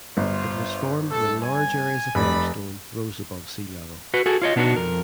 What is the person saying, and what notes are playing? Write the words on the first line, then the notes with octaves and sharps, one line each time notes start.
It was formed when large areas of limestone rose above sea level.
G1 F4 C5
A4
G#5
F1 D#4 D5 B5
F#4 B4
F#4 G#4 A4
F4 C#5 D#5
B2 B3 D4 D#4 F#4
F2 A#4